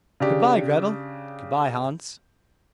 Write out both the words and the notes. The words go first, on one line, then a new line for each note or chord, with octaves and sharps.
'Goodbye, Gretel.' 'Goodbye, Hans.'
C#3 D4 G4